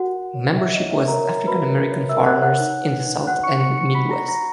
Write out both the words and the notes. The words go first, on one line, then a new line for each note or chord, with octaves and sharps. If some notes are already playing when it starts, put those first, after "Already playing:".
Membership was African American farmers in the south and Midwest.
Already playing: F#4 A#4 F#5
F#4
C#5
C#5 E5
D#5
C#5
E5
C#5
A#4 A#5
C#5
F#4 B4 B5
A#4
C#5
E5 E6
A#4
F#5 F#6
C#5
F#5 F#6
D#4
B4
D#4
F#4 F#5 F#6
C#6 C#7
B4
C#6 C#7
D#4
C#6 C#7
F#4 B5 B6
A#5 A#6
D#4
A#5 A#6